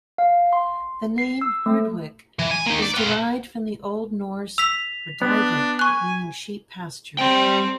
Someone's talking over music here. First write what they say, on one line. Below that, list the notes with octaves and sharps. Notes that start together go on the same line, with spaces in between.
The name "Herdwick" is derived from the Old Norse "herdvyck", meaning sheep pasture.
F5
C6
C7
E6
A3
E3
G#5
A#3 D#4
D5
F4 B4
E6 B6 F7
B3 D4
G#5 C#6 F#6
G3 C4 G5